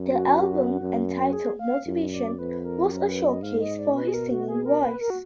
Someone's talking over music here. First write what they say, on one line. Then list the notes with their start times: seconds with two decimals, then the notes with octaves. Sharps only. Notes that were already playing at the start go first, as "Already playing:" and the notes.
The album, entitled "Motivation", was a showcase for his singing voice.
Already playing: F#2
0.11 F#4
0.81 F#2
1.23 F#4
1.33 G#4
1.59 F5
1.86 F#2
2.12 D5
2.38 F2 B4
2.64 A#4
2.90 F#2 A#4
3.08 B4
3.26 D#5
3.43 G#2 F5
3.60 D#5
3.78 D5
3.95 B2 B4
4.08 G#4
4.14 A#4
4.31 F#4
4.48 G#4
4.65 A#4
4.84 B4
5.01 A#4
5.10 F#4